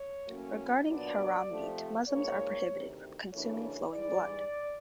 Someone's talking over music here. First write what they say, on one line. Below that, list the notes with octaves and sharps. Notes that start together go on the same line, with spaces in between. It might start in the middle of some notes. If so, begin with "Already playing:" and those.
Regarding haram meat, Muslims are prohibited from consuming flowing blood.
Already playing: C#5
A2 F#3 A#3 C#4
A#2 F#3 B3 D4 D5
C3 F3 A3
G#2 F3 A#3 C#5
D2 C3 D#3
F#2 C#3 E3 A3 D4 C#5
C#5
G#2 E3 G3 D5